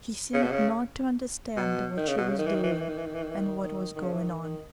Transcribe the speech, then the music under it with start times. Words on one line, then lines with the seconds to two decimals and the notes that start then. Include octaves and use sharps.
She seemed not to understand what she was doing and what was going on.
0.34 C#3
0.42 B2
0.51 C#3
1.57 B2
1.97 D#3
2.08 C#3
2.18 B2
2.28 C#3
2.39 D#3
2.47 E3
2.55 D#3
2.63 E3
2.72 D#3
2.81 E3
2.89 D#3
2.98 E3
3.06 D#3
3.15 E3
3.23 D#3
3.31 E3
3.40 D#3
3.61 D#3
3.96 D#3
4.02 C#3
4.13 E3
4.23 D#3
4.43 D#3